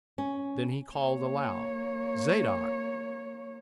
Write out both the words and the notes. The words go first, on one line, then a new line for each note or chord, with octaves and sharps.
Then he called aloud, Zadok!
C#4
A#3 C#5